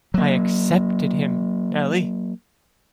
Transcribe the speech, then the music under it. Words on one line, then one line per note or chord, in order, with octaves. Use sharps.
I accepted him, Nelly.
F#3 A#3